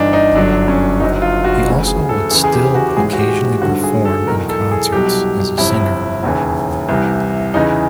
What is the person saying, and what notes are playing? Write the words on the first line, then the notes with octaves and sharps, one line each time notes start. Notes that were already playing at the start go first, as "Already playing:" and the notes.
He also would still occasionally perform in concerts as a singer.
Already playing: G1 G2 E3 D4 D#4
D#4
G1 F#2 D3 F#3 D4
C#4
F#1 F#2 D3 F#3 D#4
F4
F#4
D2 C#3 E3
G#4
A4
E2 C#3 E3 G#4
G#4
G4
F#4
G4
A1 G#2 E3 G#4
F#4
G4
G#1 G2 D3 F#4
G#4
A4
E2 B2 F#3 A#4
A4
G#4
C2 B2 F#3 G4
G1 F2 C3 E4
E1 D#2 C#3 E3
C2 C3 E3
E2 C#3 E3 D#4